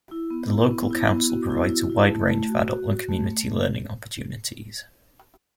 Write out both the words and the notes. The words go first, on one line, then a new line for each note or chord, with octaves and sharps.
The local Council provides a wide range of adult and community learning opportunities.
E4
B3
E4
B3
E4
B3
B3 F#4
E4
E4
E4
A3
A3
F#4
F#4
F#4
A3
A3